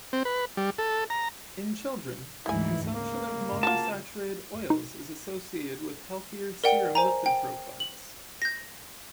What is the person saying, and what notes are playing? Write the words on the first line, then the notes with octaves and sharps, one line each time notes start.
In children, consumption of monounsaturated oils is associated with healthier serum lipid profiles.
C4
B4
G3
A4
A#5
D2 G#2 E3 G3 E4 G#5
C#3 A#3
F4 F#4 A5
D#4
A#4 D5 F#5 G5
C5 G#5 A#5
G5
F#7
G6 A#6